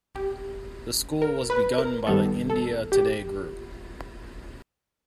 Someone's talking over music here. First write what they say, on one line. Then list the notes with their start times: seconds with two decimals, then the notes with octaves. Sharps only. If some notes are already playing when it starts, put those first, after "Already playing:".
The school was begun by the India Today group.
0.16 G4
1.22 A#4
1.50 B4
1.78 A#4
2.07 G2 D#3 G3 B3 A4
2.50 A4
2.92 G4